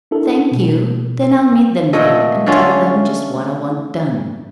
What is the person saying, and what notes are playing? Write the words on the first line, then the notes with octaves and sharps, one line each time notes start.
"Thank you; then I'll meet them there and tell them just what I want done."
D4 E4 A4 A#4
B2
A#2 A3 D#5
D3 A3 C#4 F4